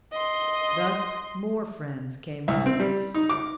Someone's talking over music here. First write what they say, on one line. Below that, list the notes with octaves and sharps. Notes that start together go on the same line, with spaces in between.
Thus more friends came among us.
D#5 C6
C2
C4
G3
D#4
D6